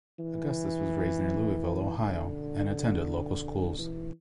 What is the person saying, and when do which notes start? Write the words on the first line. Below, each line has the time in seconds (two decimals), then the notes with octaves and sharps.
Augustus was raised near Louisville, Ohio, and attended local schools.
0.19 E3
1.99 D3
3.79 E3